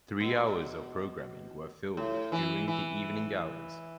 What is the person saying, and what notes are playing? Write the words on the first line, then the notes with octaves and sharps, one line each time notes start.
Three hours of programming were filled during the evening hours.
B2
A2
E3
E3